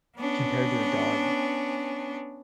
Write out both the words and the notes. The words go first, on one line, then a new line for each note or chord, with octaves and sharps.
compared to a dog,
B3 C#4 D4